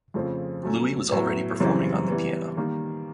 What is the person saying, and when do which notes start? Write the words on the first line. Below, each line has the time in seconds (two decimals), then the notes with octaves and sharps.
Louis was already performing on the piano.
0.14 F2 C#3 F3 A3 C4
0.63 F#3 A3 C#4
1.12 A2 F#3 B3
1.60 F#2 C#3 E3 G3 C4
2.09 E3 G3 B3
2.57 D#3 G3 A#3